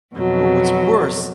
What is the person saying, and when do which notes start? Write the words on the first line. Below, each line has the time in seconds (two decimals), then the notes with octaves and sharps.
or what's worse,
0.15 F2 B2 F#3